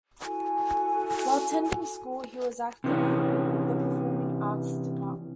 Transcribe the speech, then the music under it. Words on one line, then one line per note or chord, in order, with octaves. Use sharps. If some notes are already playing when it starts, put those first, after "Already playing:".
While attending school, she was active in the performing arts department.
E4 F#4 A4 G#5
C3 E3 C#4